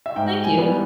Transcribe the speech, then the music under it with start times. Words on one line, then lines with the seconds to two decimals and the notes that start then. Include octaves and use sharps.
Oh, thank you.
0.06 E5
0.16 G#2 G5
0.44 G#5
0.58 E3 G3 B3